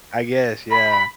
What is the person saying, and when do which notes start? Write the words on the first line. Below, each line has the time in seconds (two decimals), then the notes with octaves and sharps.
I guess. Yeah.
0.72 B5